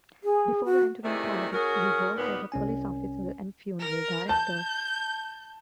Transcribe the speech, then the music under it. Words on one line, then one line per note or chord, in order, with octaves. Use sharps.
Before entering politics he worked as a police officer and funeral director.
G#4
F#4
C3 D#3 G3 A3 E4 G#4
C#4 F#4 G#4 A#4
D#2 A#2 B3
C2 C#4 G#5
A#4
A5 G6